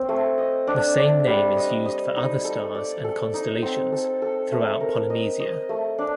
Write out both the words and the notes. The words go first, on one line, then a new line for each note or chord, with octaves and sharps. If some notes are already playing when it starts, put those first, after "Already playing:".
The same name is used for other stars and constellations throughout Polynesia.
Already playing: C4
A3
D#5
D4
D4
G3
D#5
D#5
D#4
A4
D5
A4
D#4
C4
A4
A4
A3
A#4
D#5
D#5
A3
D4